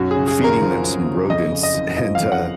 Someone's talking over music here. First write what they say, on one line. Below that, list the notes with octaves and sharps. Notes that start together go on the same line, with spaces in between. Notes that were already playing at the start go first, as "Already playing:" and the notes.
feeding them some rodents, and, uh
Already playing: B1 F#2 F#4
G#4
C#3
G#4
G#1 A#4
F3
F#2
C#3
F2 D#5
C#3
D#5
F#1
F3 D#5
F2 F5
F#5